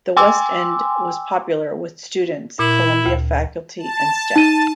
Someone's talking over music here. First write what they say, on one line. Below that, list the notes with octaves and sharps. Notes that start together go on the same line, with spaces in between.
The West End was popular with students, Columbia faculty and staff.
G5 G#5 C6 D6 E6
A#2 E4
D2
A5
D#4 D#7